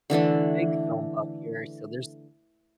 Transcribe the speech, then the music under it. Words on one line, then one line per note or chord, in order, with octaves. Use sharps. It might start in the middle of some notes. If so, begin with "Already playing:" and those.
big film buff here, so, there's
D3 E3 A3 D4